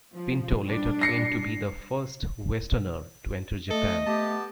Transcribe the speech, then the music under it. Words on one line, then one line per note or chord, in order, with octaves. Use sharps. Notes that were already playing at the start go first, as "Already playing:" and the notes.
Pinto later claimed to be the first westerner to enter Japan.
F3
G3 D4
A#6 C7 C#7
A3 A4 D#5
A3 B3 G4 A5